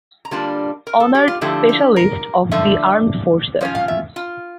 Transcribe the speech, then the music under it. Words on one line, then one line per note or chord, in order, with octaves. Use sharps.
Honored Specialist of the Armed Forces.
A#5
D3 G3 A#3 D4 F4 A5
A#4
A4
G4
F4
D3 F3 A3 E4 G4
G4
A#4
D3 F3 A3 E5
F3 C#4 F4 F5
F5
E5
F4